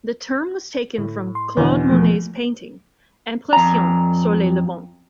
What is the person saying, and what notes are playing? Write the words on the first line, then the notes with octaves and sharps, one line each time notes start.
The term was taken from Claude Monet's painting "Impression: soleil levant".
A2
C6
E2 B2 D4 E4 C#5
F3 A3 A#3
F2 A#5